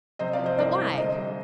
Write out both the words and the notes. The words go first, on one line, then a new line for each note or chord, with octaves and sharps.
But why?...
C3 C5 D#5
D5 F5
F3
C5 D#5
C2 A#4 D5
C2
D3 C5 D#5
G3